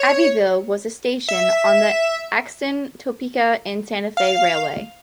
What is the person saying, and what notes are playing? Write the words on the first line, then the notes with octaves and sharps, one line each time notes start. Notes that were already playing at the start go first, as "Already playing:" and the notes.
Abbyville was a station on the Atchison, Topeka and Santa Fe Railway.
Already playing: C#5
E5
F5